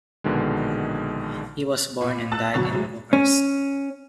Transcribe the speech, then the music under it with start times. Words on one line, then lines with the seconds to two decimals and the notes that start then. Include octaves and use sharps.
He was born and died in Bucharest.
0.24 A#1 B2 D3 D#3 G#3
2.01 A#2 B5
2.32 A5 E6 F#6 A6
2.54 G#1 B2 D3 F#3 C#6 A6
2.71 C3 F#3 G#3
3.13 C#4